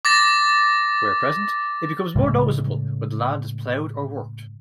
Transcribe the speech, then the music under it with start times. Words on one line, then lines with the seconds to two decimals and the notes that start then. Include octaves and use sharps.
Where present, it becomes more noticeable when the land is ploughed or worked.
0.05 D6 A6 A#6
2.16 A2 C#3 G#3